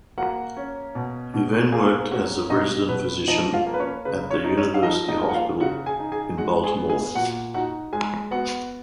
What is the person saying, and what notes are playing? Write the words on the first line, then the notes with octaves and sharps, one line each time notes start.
He then worked as the resident physician at the University Hospital in Baltimore.
A#3 F#4 F#5
C#4
B2
B2
A#3 G#4 G#5
C#4 F#4 F#5
B2 D#4 D#5
B2 B4
F3 D#4 D#5
F4 F5
A#3
B4
C#4 C#5
C#3 B4
C#4 C#5
D#4
C#4 C#5
F5
F3 D#4 D#5
D#4 D#5
A#3
F#5
F4 F5
C#3 F#4 F#5
G#4 G#5
D#4
G#4 G#5
G#3 F#4 F#5
G#4 G#5
B3
G#4 G#5
A#2 F#4 F#5
D#4 F#4 F#5
G#3 G#4 G#5
B3 F#4 F#5